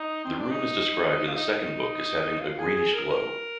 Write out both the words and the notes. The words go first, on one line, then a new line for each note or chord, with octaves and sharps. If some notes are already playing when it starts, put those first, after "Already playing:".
The room is described in the second book as having a greenish glow.
Already playing: D#4
C4
D4
D#4
F4
D#4
F4
G#4
G#4
A#4
A#4